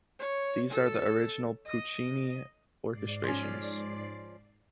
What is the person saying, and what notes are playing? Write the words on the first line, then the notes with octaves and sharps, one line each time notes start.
These are the original Puccini orchestrations.
C#5
A4
D#5
G#2 D5 C7
F3 C#4